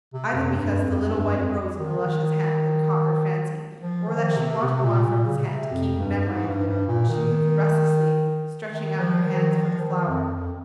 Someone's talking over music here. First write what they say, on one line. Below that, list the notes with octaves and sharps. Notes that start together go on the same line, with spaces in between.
Either because the little white rose in Ilusha's hand had caught her fancy or that she wanted one from his hand to keep in memory of him, she moved restlessly, stretching out her hands for the flower.
C3
F2
G2
F2
G2
F2
D#3
D#3
F3
D#3
C3
C3
A#2
A#2
C#3
C3
F2
G2
G#2
G2
G2
A#2
D#3
D#3
F3
D#3
F3
D#3
F2
F2